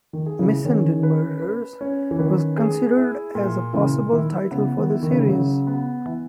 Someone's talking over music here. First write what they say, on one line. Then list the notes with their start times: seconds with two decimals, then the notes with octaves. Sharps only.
"Missenden Murders" was considered as a possible title for the series.
0.13 D#3
0.26 G#4
0.39 C#3 E3
0.65 D#3 C#4
1.03 B4
1.42 B4
1.81 C#4
2.11 E3
2.19 D#3 B4
2.58 G#4
2.97 E4
3.35 A#2
3.74 A#2 C#3 E3
4.12 D#3 E4
4.51 C#3 B3
4.77 D#3
4.89 E4
5.03 D#3
5.11 C#3
5.19 D#3
5.28 C#3 F#3
5.67 B3
6.06 E3